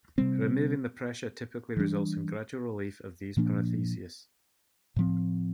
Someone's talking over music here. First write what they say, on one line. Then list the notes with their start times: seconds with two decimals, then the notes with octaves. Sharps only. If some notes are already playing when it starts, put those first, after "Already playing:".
Removing the pressure typically results in gradual relief of these paresthesias.
0.18 C3 G3 C4
1.77 E3 G3 D4
3.37 A#2 F3 A#3 D4
4.96 A2 F3 C4